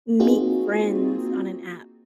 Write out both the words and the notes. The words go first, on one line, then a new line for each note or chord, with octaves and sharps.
meet friends on an app,
A#3 C4 D#4 F4 F#4 G#4